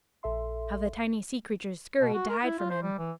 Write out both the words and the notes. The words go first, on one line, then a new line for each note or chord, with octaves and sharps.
How the tiny sea creatures scurried to hide from him.
A#1 A4 E5 C6
B2
F#4
A#4
E4
F4
C5
G3
E3